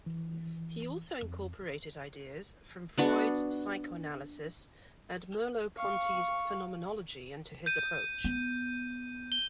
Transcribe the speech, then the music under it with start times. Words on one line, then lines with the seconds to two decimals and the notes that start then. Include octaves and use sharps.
He also incorporated ideas from Freud's psychoanalysis and Merleau-Ponty's phenomenology into his approach.
0.06 E3
1.22 F2
2.98 B3 D4 F#4
5.77 F5 C#6
7.66 G6 D#7
8.24 B3
9.32 G7